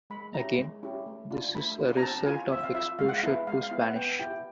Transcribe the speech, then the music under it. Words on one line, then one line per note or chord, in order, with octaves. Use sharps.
Again, this is a result of exposure to Spanish.
G#3 B5
C#4 E4 G4 A#5
G#3
C#4 E4 G4
A3
D4 F4
A3 B5
D4 F4
A#5
C4 A5
F4 G#5
C4 E5
F5
F4 E5
G#3 F5
F#5
F5
B3 E4
G#3 F5
F5
B3 E4
F#5
B3 G5
E4 G4 G5